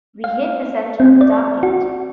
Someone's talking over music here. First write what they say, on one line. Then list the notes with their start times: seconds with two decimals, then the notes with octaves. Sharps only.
We hit the center of the target.
0.24 F5
1.00 C4
1.21 D5
1.63 F#4